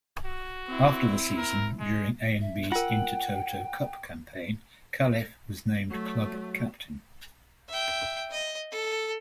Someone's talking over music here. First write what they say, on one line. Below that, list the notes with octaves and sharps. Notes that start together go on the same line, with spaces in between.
After the season, during AaB's Intertoto Cup campaign, Califf was named club captain.
F#4
C4 E4
A#4
G#3
E5
F4 A#4 F#5 G5
F#3 A3
E5 G5
D#5
A4